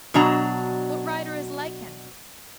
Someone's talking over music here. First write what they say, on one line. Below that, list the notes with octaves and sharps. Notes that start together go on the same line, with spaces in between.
What rider is like him?
B2 F#3 D4 A#5